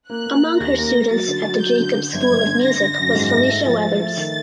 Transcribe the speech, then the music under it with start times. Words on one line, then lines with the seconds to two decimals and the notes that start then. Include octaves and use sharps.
Among her students at the Jacobs School of Music was Felicia Weathers.
0.09 A#3 F#6
0.26 A#3
0.43 A#3
0.60 D#2 A#6
0.78 A#3
0.95 A#3
1.11 F#3 A6
1.28 D3
1.45 F#3
1.62 F#3 G6
1.79 D3
1.96 D3
2.12 G1 G#6
2.30 G1
2.46 D3
2.64 D3 A#6
2.81 D3
2.98 F#2
3.14 G#2
3.32 A3
3.49 A3
3.66 F3 A6
3.83 A3
4.00 A3
4.17 D#3